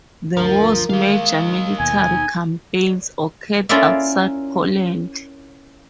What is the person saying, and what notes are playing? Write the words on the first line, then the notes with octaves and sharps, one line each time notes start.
The war's major military campaigns occurred outside Poland.
D2 G2 F3 A#4
D#3 G#3 D#4 F5
D#2 B2 G#5
A#3 C#4 E4 F4 D5 E5